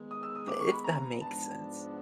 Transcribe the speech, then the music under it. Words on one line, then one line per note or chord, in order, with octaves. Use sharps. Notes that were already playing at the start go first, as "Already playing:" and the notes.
if that makes sense.
Already playing: D#3 G#3 B3
D#6
E6
D#6
D6
C#6
B5
A#5
G#2 F3 G#3 B3 D4 A5